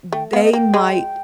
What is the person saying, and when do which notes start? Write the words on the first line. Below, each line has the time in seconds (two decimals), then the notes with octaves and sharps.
they might
0.13 A3 G5
0.33 B3 F5
0.43 D#5
0.53 A#3 G5
0.74 G#3